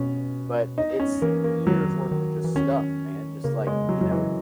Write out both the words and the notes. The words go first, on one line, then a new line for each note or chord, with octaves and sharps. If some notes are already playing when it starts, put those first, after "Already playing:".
but it's years worth of just stuff, man, just like, you know,
Already playing: B2 B3 C#4
D#4
C#4
E3 A#3
A#3
D#3 F#3
D#3
E3
D#3 C#4
C#3 A#3
G#3
F#3
F#3
E3